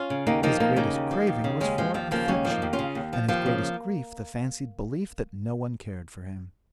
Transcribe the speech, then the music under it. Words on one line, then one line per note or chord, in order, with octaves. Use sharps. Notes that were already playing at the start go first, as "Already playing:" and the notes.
His greatest craving was for affection, and his greatest grief the fancied belief that no one cared for him.
Already playing: C#4 F4
C#3
D#2 A#3 D#4
F3 A#3 D#4
D#2 A#3 D#4
C#3 A#3 D#4
D#2
F3
D#2
C#3
D#2 G#3 C#4
F3 G#3
D#2 F3
C#3 F3 A#3
D#2 G#3 C#4
F3
A#3 D#4
D#2
C#4 F4
C#3
D#2
F3
D#2 F3 A#3
C#3